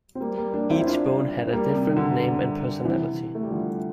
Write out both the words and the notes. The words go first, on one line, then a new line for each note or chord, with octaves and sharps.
Each bone had a different name and personality.
C4
G3 A#3
G3 A#3
A#3 D4
C4 E4
E4
D4 F4
G3 A#3
C3
D3
C3 E3
A3
G3
D3 F3